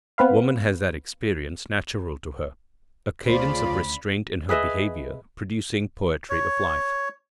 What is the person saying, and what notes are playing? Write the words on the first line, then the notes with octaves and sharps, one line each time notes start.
Woman has that expression natural to her--a cadence of restraint in her behaviour, producing poetry of life.
B3 C4 B4 F5
D2 C#3 A3 F4 C5 D5 B5
G#4 B4 D#5 E5
C#5